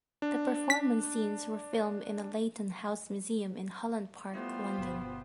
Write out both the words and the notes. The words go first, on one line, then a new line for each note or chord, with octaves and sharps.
The performance scenes were filmed in the Leighton House Museum in Holland Park, London.
D4
B6
G3 A3 B3 E4 F4 G4 C5
G1 B2 B3 B5